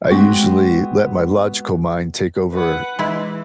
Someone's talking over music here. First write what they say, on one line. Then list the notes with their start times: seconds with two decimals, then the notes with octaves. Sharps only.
I usually let my logical mind take over
0.10 G#3 B3 C4 F#4 G4
2.53 B4 F#5
2.99 E3 G#3 E4